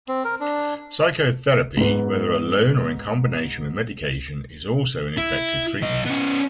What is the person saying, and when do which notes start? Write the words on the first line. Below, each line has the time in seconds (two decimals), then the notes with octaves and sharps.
Psychotherapy, whether alone or in combination with medication, is also an effective treatment.
0.08 C4
0.25 A#4
0.40 D4
1.77 G#2 B3
5.17 E4
5.81 B1 D#5
6.05 B3 C#4